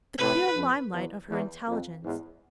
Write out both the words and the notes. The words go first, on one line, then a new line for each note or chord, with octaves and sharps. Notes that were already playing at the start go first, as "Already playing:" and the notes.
The clear limelight of her intelligence!
A2 C3 B4
F2
E2
E2
F2
E2 G#2